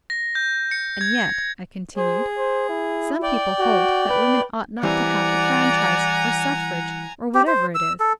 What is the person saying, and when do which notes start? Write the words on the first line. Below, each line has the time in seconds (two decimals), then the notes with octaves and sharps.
And yet," I continued, "some people hold that women ought not to have the franchise, or suffrage, or whatever it is!
0.10 A#6
0.35 G6
0.71 C#7
1.01 G#6
1.97 G#4 C5
2.38 C5
2.69 E4
3.23 D5 G5
3.59 F#4
4.09 B4
4.83 E3 G3 C4 D5 F#5 G#5 A#5
7.35 G4
7.47 C5
7.75 E6
8.00 A4